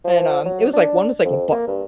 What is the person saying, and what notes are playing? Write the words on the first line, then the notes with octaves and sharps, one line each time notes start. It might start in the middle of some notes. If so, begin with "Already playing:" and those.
and, um, it was, like one was like a b
F3
F#3
D4
F2
A#3
G2